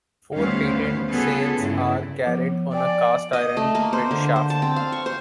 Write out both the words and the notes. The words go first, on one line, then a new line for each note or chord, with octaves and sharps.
Four Patent sails are carried on a cast-iron windshaft.
D2 G3 B3 C#4 C5 F5
C#3 G3 B3 F4 G#4 A4
G2 C#3 E4
F3 B3
D5 G5 G#5
D#5
A3
A#3
C5
D3
C5
A5
C4
F5
C#6
C5